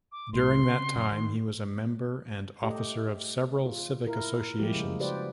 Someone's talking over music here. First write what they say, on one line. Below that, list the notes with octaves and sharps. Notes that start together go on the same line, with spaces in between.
During that time, he was a member and officer of several civic associations.
D6
C2 A2 C6
C#3 C4
F#2
D#3
A3 G4 D#5
F4
E4 A#4
F3 G3 G#3 A#3 E4 G4
C#3 G#4
F#4 G4 B4 C5 D5